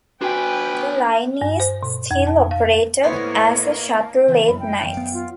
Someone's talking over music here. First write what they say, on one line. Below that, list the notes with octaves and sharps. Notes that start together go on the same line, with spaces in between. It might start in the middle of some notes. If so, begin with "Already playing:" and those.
The line is still operated as a shuttle late nights.
D4 F#4 B4 G5 G#5
G2
C5
B2
F2
A5
F5
A2 A#3 B3 E4 C5 C#5 D#5
C#3 E3
F#2 B5
G5
F#2 D#3 F5
B3
F4